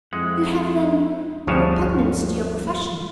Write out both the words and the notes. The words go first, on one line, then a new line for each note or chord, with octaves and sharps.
"You have, then, a repugnance to your profession?"
F2 G#3 C4 E4 F#5
D2 G2 F3 G#4 C#5 A5